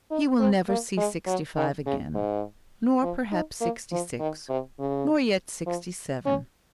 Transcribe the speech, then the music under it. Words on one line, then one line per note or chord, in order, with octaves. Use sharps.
He will never see sixty-five again, nor perhaps sixty-six, nor yet sixty-seven.
D#4
C4
A#3
G#3
F#3
D#3
C#3
G#2
F3
D#4
A#3
F3
D#3
C3
C#3
F3
C#4